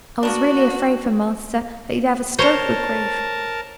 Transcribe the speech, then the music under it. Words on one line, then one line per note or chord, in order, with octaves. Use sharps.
I was really afraid for master, that he'd have a stroke with grief.
A#3 B3 D4 F#4
A#4 C5 C#5 A5